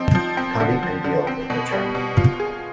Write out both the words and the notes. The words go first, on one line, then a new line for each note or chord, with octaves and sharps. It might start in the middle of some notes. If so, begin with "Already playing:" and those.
Condit and Deal were co-chairmen.
Already playing: F3 C4 D#4
F3
C4
D3
F3
D3
C4
B2
G3
B2
F4
G#4